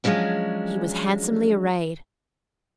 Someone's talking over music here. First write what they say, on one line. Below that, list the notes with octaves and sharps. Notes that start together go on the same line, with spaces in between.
He was handsomely arrayed.
F3 F#3 G#3 C#4 D4